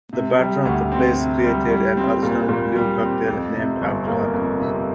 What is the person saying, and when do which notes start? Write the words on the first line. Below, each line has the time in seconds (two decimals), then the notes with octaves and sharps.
The bartender of the place created an original blue cocktail named after her.
0.13 C3
0.39 G3
0.65 D2
0.92 C4
1.18 C3
1.45 G3
1.70 G3
1.97 C4
2.23 A#2
2.49 A#2
2.75 G3
3.02 C4
3.28 F2
3.55 C3
3.81 G1
4.07 A#3
4.34 F2
4.60 C3